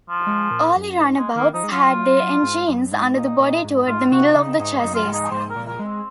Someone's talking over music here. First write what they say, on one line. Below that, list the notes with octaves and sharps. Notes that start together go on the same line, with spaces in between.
Early runabouts had their engines under the body toward the middle of the chassis.
F3
G#3
A#2
F#2
G#2
G#3
D#3 A#3
F3 D#4
G#3
F#3 F4
G#2
F#2
G#2
A#2 D#4
A#2
G#2
G#2 F4
C3 F#4
C#3 D#4
G#2 D#4
D#4
F#2
F4
G#2
D#4
G#2 C5
A#4
A#2
A#4
G#3
C4